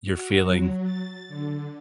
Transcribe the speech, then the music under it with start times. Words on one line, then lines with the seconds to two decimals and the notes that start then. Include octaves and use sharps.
you're feeling
0.11 F#4
0.42 F#3
0.84 A6
1.29 D3